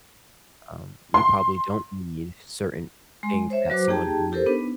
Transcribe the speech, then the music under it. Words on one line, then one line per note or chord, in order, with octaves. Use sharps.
um, you probably don't need certain things that someone who
C6
G#3 C6
C5 C#5 E5
F#3 F#4 B4 C5 D6
A#3 D#4 G4 G#4 G5 A5
E4 G4 A4 A#4 C5
B3 D4 D#4 B4